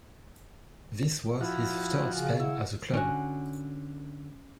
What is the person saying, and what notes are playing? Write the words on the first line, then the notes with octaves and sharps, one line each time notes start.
This was his third spell at the club.
F3 E4 F#4
C#3 G#5
E4 F#5
D3 C#4 F#4